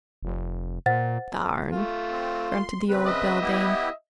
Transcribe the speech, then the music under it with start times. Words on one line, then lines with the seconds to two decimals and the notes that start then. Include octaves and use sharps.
"Garn!" grunted the old beldame.
0.23 F1
0.86 A#2 C5 F#5 A6
1.72 A3 F4
2.10 C4
2.51 C6
2.89 C#3 C4 B4
3.06 D#5 E5
3.40 B3 E4 G4